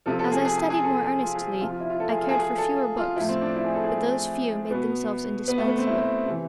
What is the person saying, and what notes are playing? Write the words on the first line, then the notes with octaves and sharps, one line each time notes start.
As I studied more earnestly, I cared for fewer books, but those few made themselves indispensable.
C3 F3 A4
A4
G#4
G#4
G#4
G#4
A4
G#4
F4
G#4
G#4
C3 F3 F4
F4
E4
F4
A4
G#4
F4
A4
G#4
G#4
A4
F4
A2 F3 E4
C4
D4
E4
G#4
A4
G#4
B2 B3
B3
A3
B3
C4
E4
C3 E3